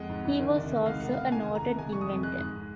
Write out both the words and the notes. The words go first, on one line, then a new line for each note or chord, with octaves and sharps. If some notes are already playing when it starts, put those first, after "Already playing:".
He was also a noted inventor.
Already playing: F2 G#3 F#5
G#2
G#2
D#3
C2
C2
G#3 F5
C2 F#5
C2 F5
D#3 G#5
C2
A#5
C2
G#3 G#5
F2 C#6
D#6
F2
G#3 F#6
G#2